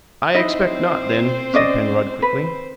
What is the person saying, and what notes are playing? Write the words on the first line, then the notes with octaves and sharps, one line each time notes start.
"I expect not, then," said Penrod, quickly.
C4 D#4 E4 C5 D#5
C#4 D5 D#5
B4